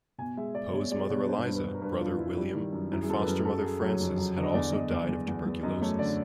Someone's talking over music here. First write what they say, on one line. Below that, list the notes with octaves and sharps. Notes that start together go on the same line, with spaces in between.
Poe's mother Eliza, brother William, and foster mother Frances had also died of tuberculosis.
B2 G#5
G#3 E5
G#3 D5
B2 C#5
G#3 D5
B2 C#5
B4
G2 C5
G2
B4
G2
A#4
G2 B4
G2 F4
G2 E4
G3
D#3
F#2
F#2 E4
G#4
F#2 A4
B4
F#2 A#4
F#3 A4
F#3 G#4
F#3 C#5
F2
F#3
D3
D#5
E2 D5
E2 D#5
E2
E2
E2
E2
F#2 D#5
A3 C#5
D3 D5